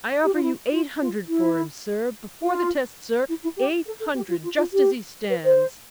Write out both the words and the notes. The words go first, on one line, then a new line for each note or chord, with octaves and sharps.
"I offer you eight hundred for him, sir, before the test, sir; eight hundred just as he stands."
G4
F4
E4
F4
F4
E4
F4
E4
E4
G4
A4
A4
G4
F4
F4
F4
G4
B4
C5